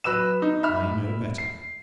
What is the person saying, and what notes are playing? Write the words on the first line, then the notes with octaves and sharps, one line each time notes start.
I know better.
F#3 B4 E6 E7
D#4
E5 B5 F6
C7